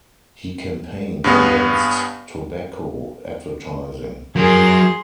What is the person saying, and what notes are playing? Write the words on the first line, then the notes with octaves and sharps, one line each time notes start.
He campaigned against tobacco advertising.
G2 C#3 B3
F#3 G#4 A#4 C6